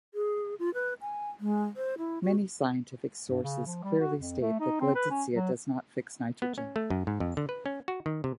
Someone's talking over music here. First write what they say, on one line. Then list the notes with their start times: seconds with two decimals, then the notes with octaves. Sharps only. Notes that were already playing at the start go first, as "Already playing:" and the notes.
Many scientific sources clearly state that "Gleditsia" does not fix nitrogen.
0.14 G#4
0.59 F4
0.74 B4
1.01 G#5
1.40 G#3
1.76 C5
1.98 E4
2.22 F#4
3.30 G2
3.43 C#3
3.66 F3
3.83 G3
4.00 F#4
4.18 F2
4.41 A3
4.60 D#4
4.80 C4
4.95 B4
5.10 C#4
5.32 F#3
6.42 B3
6.58 C#4
6.76 A3
6.90 F#2
7.07 G#2
7.20 F2
7.37 D3
7.49 B4
7.66 C#4
7.88 F#4
8.06 D#3
8.24 C3